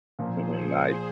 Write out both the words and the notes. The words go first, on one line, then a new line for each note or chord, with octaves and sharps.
Mhm, ni
A#2 F3 A#3 G#4 C5